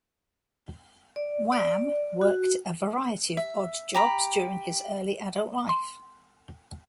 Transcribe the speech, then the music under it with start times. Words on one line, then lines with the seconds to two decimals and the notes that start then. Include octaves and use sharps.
Wham worked a variety of odd jobs during his early adult life.
1.16 D5
1.52 D5
2.21 F#4
3.37 E5
3.95 G4 A#5 B5
5.69 C6